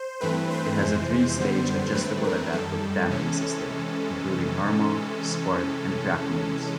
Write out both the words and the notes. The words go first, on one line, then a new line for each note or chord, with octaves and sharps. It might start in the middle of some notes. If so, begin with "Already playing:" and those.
It has a three-stage adjustable adaptive damping system including normal, sport and track modes.
Already playing: C5
G2 E3 A3 C4 B4
C5
F2 C3 E3 G#3
F#2 D3 G3 B3
D3 F#3 A3 C4 B4
A#4
F#2 D#3 G3 A4
C3 E3 G#3 C#4